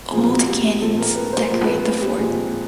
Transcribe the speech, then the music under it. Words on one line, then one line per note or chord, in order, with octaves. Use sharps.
Old cannons decorate the fort.
A#2 F3 G#3 C4 G#4
F#4
G4
A#2 F3 G#3 C4 A4
A#4
B4
C5
A#2 F3 G#3 C4
B4
G4
A#2 F3 G#3 C4 G#4